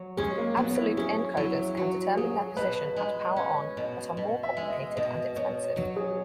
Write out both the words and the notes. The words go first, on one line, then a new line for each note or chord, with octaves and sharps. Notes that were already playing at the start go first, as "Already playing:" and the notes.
Absolute encoders can determine their position at power-on, but are more complicated and expensive.
Already playing: F#3
G#3 C#4
A#3
F#3 B3
E4
C#4 G#4
F#3 E4
F#3 F#4
F#3 G#4
B2 B4
G#3
C#4
B2
B2
E5
G#3
D#5
B2 D#5
B2 C#5
F#3 C#5
G#4